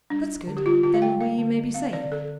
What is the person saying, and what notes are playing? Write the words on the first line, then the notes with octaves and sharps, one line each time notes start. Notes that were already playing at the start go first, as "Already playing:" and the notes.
"That's good; then we may be saved."
G3 D4
D4
D3
G4
G3 F4
D3 F4
F5
G3 G5
G3 F5
D3
G3
C4 F5
D3 D5
D3 A4